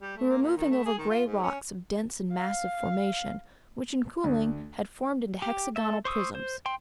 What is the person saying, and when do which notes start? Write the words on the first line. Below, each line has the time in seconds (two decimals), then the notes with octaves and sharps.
We were moving over grey rocks of dense and massive formation, which in cooling had formed into hexagonal prisms.
0.02 G3
0.17 A3
0.29 A#3
0.42 A#2
0.56 D#3
0.70 A3
0.86 G#4
0.98 D#3
1.09 F4
1.26 G#2
1.42 C#4
2.33 F5
4.24 D2
5.42 G4
5.76 A4 E5
6.05 C5 C#6 D#6 E6
6.35 C5
6.66 G5 C6